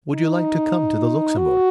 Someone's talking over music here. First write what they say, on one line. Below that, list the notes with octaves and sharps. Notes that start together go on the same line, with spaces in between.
"Would you like to come to the Luxembourg?"
D#4
F#4